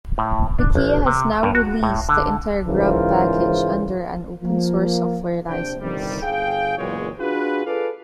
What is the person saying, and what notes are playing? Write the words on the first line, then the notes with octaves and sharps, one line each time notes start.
Wikia has now released the entire Grub package under an open source software license.
A2
D4
A1
C3
G2
F#4
A2
D3
G#2 C#3 E3 F4 A#4 C5
F3 A#3
A#1 C3 D4 C5 G5
G1 C3 D#3 G3
G1 G#4 F5 G5
F#1 E2 A#2 F#3 G#3 C#5
D4 F4 F#4 G#4 B4
F4 G#4 A4 B4 D5 F5